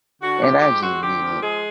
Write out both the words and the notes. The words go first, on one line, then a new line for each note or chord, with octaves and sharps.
and I just didn't,
D3 F#4
F3 G4
G#3 G4
C4 F#4
D3 G4
F3
G#3 G#4